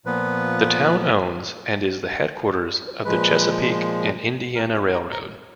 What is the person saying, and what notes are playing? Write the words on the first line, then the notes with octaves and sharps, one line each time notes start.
The town owns and is the headquarters of the Chesapeake and Indiana Railroad.
A#2 F3 B3 B4
A#2 F3 G#3 B4
A#4
C#5
A#5
A#5